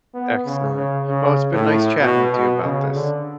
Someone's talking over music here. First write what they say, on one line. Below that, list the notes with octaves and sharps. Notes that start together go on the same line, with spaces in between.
Excellent. Well, it's been nice chatting with you about this.
B3
C#3
C#3
C#3
A2
B2
B2
C#3
D3